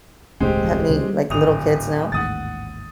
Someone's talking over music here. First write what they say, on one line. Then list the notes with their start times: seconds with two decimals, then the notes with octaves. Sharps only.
have any, like, little kids now,
0.40 E1 C#2 A2 G#3 C4 G4
0.89 D2 C#3 E3
1.04 G3
1.30 D1 G#1 D#6 F7
2.12 A1 D#2 G#2 F#5 D#6 A6